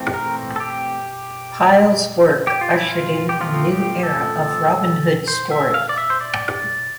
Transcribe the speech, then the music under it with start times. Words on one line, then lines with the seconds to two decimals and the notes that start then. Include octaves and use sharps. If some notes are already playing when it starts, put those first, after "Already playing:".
Pyle's work ushered in a new era of Robin Hood stories.
Already playing: E3 A3 C4
0.14 A#4
0.56 A4
0.60 G4
2.47 G4
2.61 F4
2.75 E4
2.88 F4
3.29 G4
3.41 F3 A3 C4 F4
3.72 G4
4.03 A4
5.28 C5
5.51 E5
5.74 F5
5.89 D5
5.98 E5
6.10 C5
6.21 D5